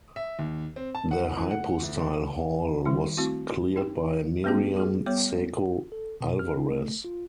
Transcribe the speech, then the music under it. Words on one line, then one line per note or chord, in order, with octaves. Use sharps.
The Hypostyle Hall was cleared by Myriam Seco Alvarez.
E5
D#2
C4
A5
F#5
E3
F#5
D2
D#3 G3 E4
A3 C4 E4 F#4
D#4 G4 G5
G3 A3 B3 C#4 F#4 G#4
F#4 G#4
G3 B3 C#5 D6
A4
B2
F6
D#4
A3
F4